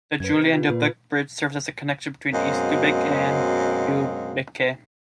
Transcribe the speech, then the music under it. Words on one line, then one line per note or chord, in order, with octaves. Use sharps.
The Julien Dubuque Bridge serves as the connection between East Dubuque and Dubuque.
F#2 B4 G#6
C3
F4
A#2 B4
F#2 B2 G#3 C4 D#5 F5